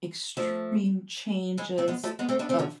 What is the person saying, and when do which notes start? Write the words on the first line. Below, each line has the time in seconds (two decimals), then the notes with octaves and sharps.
extreme changes of
0.37 F3 A3
1.57 E3 G#3
1.78 A3 C4
1.88 G#3 B3
2.04 F3 A3
2.19 G#3 B3
2.29 A3 C4
2.39 B3 D4
2.49 A3 C4
2.59 D3 F3